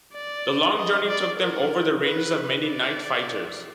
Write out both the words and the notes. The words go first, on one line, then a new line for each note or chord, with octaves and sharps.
The long journey took them over the ranges of many night fighters.
D5
D#5
D5
A#4
B4
D5